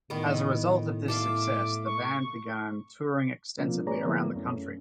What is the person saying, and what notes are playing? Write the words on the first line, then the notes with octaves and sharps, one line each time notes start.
As a result of this success, the band began touring extensively around the country.
A2 D#3 B3
A4 E5 F5 D6
C#6
B2 F3 A#3 C4 D4 F4
A#3 G#4 B4 C#5 D5 A#5
D3 F3 F#3 A#3 B3 E4
F#2 A3 C#4